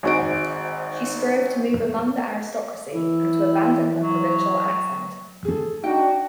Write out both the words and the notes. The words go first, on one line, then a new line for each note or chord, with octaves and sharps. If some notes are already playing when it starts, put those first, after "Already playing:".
She strove to move among the aristocracy and to abandon her provincial accent.
G#1 G#2 F#4 G#4 D7
E3 E4
F#3
G#4 A4
D4 D#4 F#4 G5